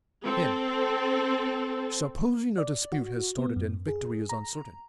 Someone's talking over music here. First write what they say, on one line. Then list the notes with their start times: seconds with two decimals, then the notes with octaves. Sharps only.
HIM: Supposing a dispute has started and victory is uncertain.
0.22 C4 A4
2.58 D5
2.92 F#4
3.39 B3
3.56 F#2
3.88 G#4
4.29 A#5